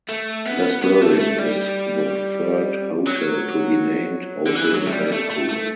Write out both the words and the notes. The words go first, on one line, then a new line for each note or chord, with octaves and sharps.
This building is the third hotel to be named "Hotel Vancouver".
A3
B3
B3
A3
A3
G3
F#3
D3
E3
F#3
A3
G3
A3
A3
A3